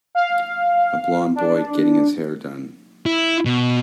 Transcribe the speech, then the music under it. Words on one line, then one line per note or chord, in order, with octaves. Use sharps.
A blond boy getting his hair done.
F5
D4
E4
B2